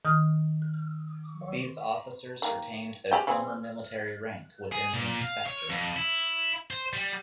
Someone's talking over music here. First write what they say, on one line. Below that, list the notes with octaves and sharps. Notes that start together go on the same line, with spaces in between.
These officers retained their former military rank within the Inspectorate.
D#3 D#6 F6
D#3 A#3
G#3 G4 G5
E3 C4 G#4
G#4
A#2
F5
C#5
F2
E4
C5
G3